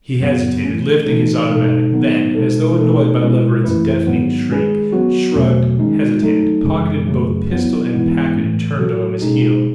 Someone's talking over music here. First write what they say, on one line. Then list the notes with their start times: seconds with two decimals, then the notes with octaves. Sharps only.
He hesitated, lifted his automatic, then, as though annoyed by Leverett's deafening shriek, shrugged, hesitated, pocketed both pistol and packet, and turned on his heel.
0.21 F#2 C#3 F#3 B3
0.64 E3 A3 C#4
1.06 C#3 E3 A3 D#4 A4
1.50 B2 G#3 D#4 A4
1.92 D#3 F#3 B3 D#4
2.35 B2 G#3 D#4 A4
2.78 B2 A3 D#4 A4
3.21 B2 G#3 C#4 E4
3.64 F#2 E3 A3 E4 B4
4.07 G#2 D#3 F#3 B3
4.49 D#3 G#3 C#4 G#4 B4
4.93 F#3 B3 F#4
5.35 E2 B2 F#3 A3 C#4
5.78 D#3 G#3 D#4
6.22 F#3 A3 D#4 A4
6.64 F#2 C#3 E3 G#3
7.07 F#2 C#3 F#3 A3
7.50 F#3 B3 E4
7.93 G#2 E3 G#3 B3 E4
8.36 A2 E3 A3 C#4
8.78 F#3 C#4 F#4 A4
9.22 B2 G#3 D#4 G#4